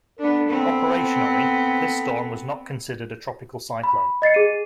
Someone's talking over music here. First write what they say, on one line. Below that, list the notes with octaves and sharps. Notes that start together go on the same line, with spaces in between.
Operationally, this storm was not considered a tropical cyclone.
B3 D4 A4
B3 C4
B5
D#5 A6 C7 C#7
G#4 D#7